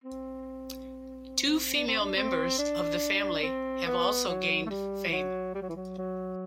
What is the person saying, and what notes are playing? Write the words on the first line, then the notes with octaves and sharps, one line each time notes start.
Two female members of the family have also gained fame.
C4
D4
C4
D4
C4
D4
C4
B3
F#3
A3
G3
E3
F#3
G3
F#3
E3
F#3
F#3